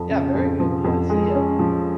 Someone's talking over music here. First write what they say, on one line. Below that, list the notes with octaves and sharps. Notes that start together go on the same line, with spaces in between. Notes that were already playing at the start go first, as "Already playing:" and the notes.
Yeah, very good, yeah. See ya.
Already playing: F2 F3
C#3
F2
F3
F2
G#3
C#4
F3